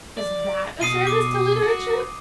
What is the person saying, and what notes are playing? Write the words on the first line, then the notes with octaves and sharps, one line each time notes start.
Was that a service to literature?
D5
B2 D#6 C7 D#7
D6 D#6
F#4